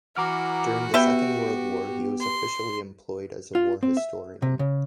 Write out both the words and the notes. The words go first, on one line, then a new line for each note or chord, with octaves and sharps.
During the Second World War he was officially employed as a war historian.
E3 F#4 F#5 A#5 D6 F6
B3 G4 B4 E5 G5
C6
F4
C4
E5
C3
C#3